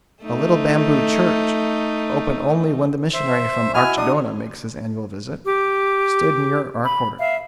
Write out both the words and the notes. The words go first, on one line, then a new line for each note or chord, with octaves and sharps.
A little bamboo church, open only when the missionary from Archidona makes his annual visit, stood near our quarters.
A3 D#4
C5 E5
E4 F#4 D#5 G#5 F6
D4 D#6
G4 D6
B5
E5 F5